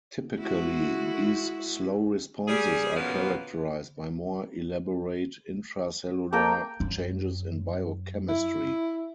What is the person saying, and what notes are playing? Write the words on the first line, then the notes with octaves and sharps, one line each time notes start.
Typically these slow responses are characterized by more elaborate intracellular changes in biochemistry.
G#3 E4 F#4
G3 G#4
B2 F3 A#3 B3 C#4
A#3 A4 A#4 G5
F#2
E4